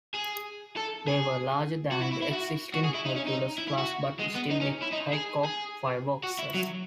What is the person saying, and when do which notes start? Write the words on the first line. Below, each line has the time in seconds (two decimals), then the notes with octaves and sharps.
They were larger than the existing Hercules Class but still with haycock fireboxes.
0.14 G#4
0.76 A4
1.08 G#4
1.91 F#4
2.02 E4
2.12 E4
2.22 E4
2.33 F#4
2.75 F#4
2.84 G#4
2.95 E4
3.06 D#4
3.16 C#4
3.27 D#4
3.58 E4
3.68 E4
3.78 F#4
4.20 G#3
4.35 B3
4.51 D#4
4.62 C#4
4.82 E4
4.93 D#4
5.13 G#4
5.45 G#4
6.24 F#4
6.39 E4
6.55 F#3